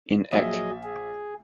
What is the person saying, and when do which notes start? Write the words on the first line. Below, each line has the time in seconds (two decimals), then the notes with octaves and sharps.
In Eq.
0.33 A#1 F#3 G#4 D#5 E5
0.83 G#4